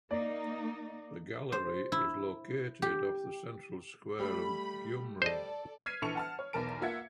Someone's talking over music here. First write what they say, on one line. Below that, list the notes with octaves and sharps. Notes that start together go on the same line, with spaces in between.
The Gallery is located off the central square of Gyumri.
A#3 D#4 D5
C5
E4
G4
G3 A3 B5
A4 C5 D5 D#5
F6 G#6 B6 C7 D#7
A#1 E3 A4 C#6 C#7 F7
F#5 A5 F6
C#5
B1 E2 A#4 A5 D7
A#3 F4 E5 F#5 G#6 C#7